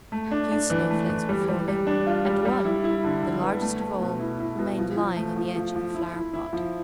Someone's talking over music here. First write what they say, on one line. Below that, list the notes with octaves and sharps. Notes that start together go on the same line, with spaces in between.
A few snow-flakes were falling, and one, the largest of all, remained lying on the edge of a flower-pot.
A3
D4
D4
E3
A3
E3
G3
G3
G3
D4
F4
G3
G3
E4
E4
D3
D3
B3
A3
A3
B2
E4
E4
B2
F3
F3
A3
F3
F3
F3
E4
E4
E4
F3